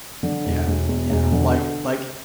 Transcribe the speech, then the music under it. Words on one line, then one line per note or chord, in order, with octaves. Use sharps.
Yeah, yeah. Like like,
D3
E1
E1
E2
E1
D3